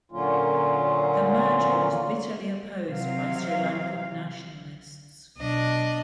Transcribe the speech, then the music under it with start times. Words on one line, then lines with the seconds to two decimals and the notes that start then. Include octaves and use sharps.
The merger was bitterly opposed by Sri Lankan nationalists.
0.12 A#2 D3 F#3 A#3 C#4 F4
2.88 C3 F#3 F5
5.37 B1 B2 D4 D#5